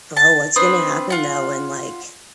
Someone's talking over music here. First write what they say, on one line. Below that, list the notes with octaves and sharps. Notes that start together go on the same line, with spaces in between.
Bro, what's gonna happen though when, like
A5
C4 D4 B4 D#6
F4 F#5